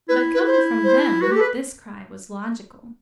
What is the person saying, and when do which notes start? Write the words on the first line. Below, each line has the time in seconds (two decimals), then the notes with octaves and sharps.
But coming from them, this cry was logical.
0.09 E4 B4
0.34 B4
0.47 C5
0.84 C5
1.22 F#4 B4
1.32 G4 A4
1.41 B4